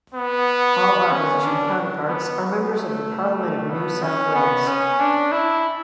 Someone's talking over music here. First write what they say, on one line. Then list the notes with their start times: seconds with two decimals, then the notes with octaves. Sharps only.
All Opposition counterparts are members of the Parliament of New South Wales.
0.14 B3
1.11 C#4
1.44 D4
2.08 B3
2.41 B3
2.73 A3
3.70 B3
4.03 C#4
4.35 B3
4.67 C#4
5.00 D4
5.32 E4